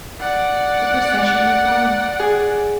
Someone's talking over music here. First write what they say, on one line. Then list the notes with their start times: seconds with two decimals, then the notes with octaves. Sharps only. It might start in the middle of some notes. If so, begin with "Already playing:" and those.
The procession went on.
0.21 D5 F#5
2.20 G#4